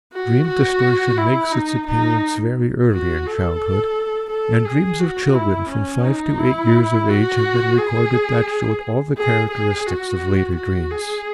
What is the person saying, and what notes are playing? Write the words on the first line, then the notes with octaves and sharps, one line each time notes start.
Dream distortion makes its appearance very early in childhood, and dreams of children from five to eight years of age have been recorded that showed all the characteristics of later dreams.
F#4
F#4
E4
D#4
D#4
F#4
A4
A4
G#4
F#4
E4
C#4
D#4
E4
F#4
G#4
G#4
G#4
F#4
F#4
G#4